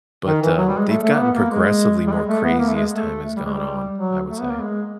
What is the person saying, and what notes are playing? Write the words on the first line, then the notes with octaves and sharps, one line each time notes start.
But, um, they've gotten progressively more crazy as time has gone on, I would say.
D#3
E3
F#3
G3
G#3
A3
A3
A#3
B3
A#3
G#3
G3
G#3
A3
B3
A#3
A3
G#3
A3
G3
G#3
G3
F#3
A3
B3
A#3
G#3